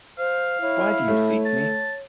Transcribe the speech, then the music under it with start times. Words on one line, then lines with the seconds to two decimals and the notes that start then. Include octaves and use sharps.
Why do you seek me?
0.18 C5 F5
0.62 E4 C#5
1.08 A3 C#5
1.45 A5